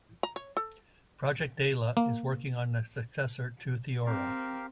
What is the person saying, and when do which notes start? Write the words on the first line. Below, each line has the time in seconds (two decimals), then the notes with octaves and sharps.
Project Daala is working on the successor to Theora.
0.23 A#5
0.36 C#5
0.57 A4
1.97 A#3
4.06 C4 G4 A#4 F5